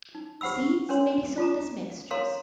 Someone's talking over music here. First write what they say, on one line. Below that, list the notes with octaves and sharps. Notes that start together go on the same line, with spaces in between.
Seeds may be sold as mixtures.
D#4
G4 C5 F#5 B5 E6
C#4 D4 A#4 C#5 C6
F4 A4 A#5
A4 A#4 C#5 F5 A#5 C6